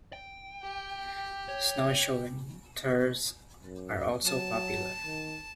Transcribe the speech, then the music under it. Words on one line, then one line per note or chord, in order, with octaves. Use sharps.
Snowshoeing tours are also popular.
G5
G4
C#5
F#2
F#3 A5
D#3